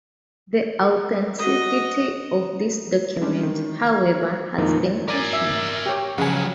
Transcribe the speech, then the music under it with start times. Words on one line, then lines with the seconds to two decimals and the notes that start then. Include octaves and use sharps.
The authenticity of this document, however, has been questioned.
1.39 F#4 D#5
3.21 G3 G#3 C#4 D4 G4
3.43 D#3
3.87 G#6
4.58 F2 A#2 D#3 E3 G#3 D#4
5.08 A#4 D5 G#5
5.33 E5
5.86 G4 C#5
6.18 C#3 F3 F#3 F#5 G#5